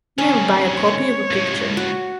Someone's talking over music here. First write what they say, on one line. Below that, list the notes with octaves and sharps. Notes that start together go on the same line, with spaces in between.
Never buy a copy of a picture.
C3 D#3 C#4
C#5
C#2 A2
F#4